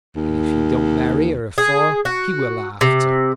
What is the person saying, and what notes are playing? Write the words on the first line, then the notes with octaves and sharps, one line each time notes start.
And if he don't marry her afore he will after.
D#2
G#4
F#4
C3